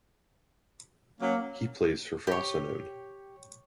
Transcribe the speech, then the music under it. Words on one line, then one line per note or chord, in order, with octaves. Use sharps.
He plays for Frosinone.
F#3 A#3 C#4
G4 C#5